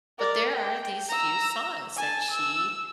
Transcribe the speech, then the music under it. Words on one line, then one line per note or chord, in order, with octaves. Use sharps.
but there are these few songs that she
A#4 D5
G5
A#5 E6
G#5 A5
E6